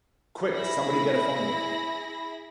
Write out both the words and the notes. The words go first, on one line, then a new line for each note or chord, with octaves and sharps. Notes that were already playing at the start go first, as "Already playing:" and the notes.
Quick, somebody get a phone book.
E4 G#4 B5 A#6